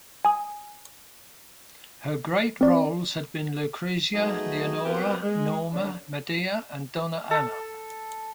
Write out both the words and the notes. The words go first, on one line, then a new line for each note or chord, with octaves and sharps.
Her great roles had been Lucrezia, Leonora, Norma, Medea, and Donna Anna.
G#5 D#6
C4 D5
F#3 A3 B3 D#4 F#4 G#4
B3 C4 F#4 G4 A#4 B4
G#3
D#2 D3 C#4 D4
A4